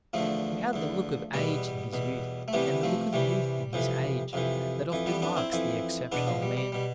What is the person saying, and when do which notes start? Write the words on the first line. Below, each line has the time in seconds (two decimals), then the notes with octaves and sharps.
He had the look of age in his youth and the look of youth in his age that often marks the exceptional man.
0.13 E2 D3 F3 A3
0.73 E2 D3
1.33 E2 B2 G3 B3
1.93 E2 B2
2.48 A3
2.53 C2 C3 E3 G3 B3
2.83 F3 A3
3.13 C2 C3 E3 G3
3.73 F2 C3 E3
4.33 F2 C3 E3
4.92 F2 E3
5.07 G3 B3
5.22 B3 D4
5.37 C4 E4
5.52 F2 E3
6.12 E2 B2 B3 D4
6.27 F3
6.42 G3
6.57 G3
6.72 B2 G3